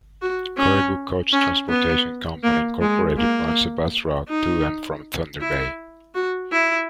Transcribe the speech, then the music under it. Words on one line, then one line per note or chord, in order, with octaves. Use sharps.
Caribou Coach Transportation Company Incorporated runs a bus route to and from Thunder Bay.
F#4
C#4
C#4
B3
A#3
G#3
A#3
D#4
E4
F#4
E4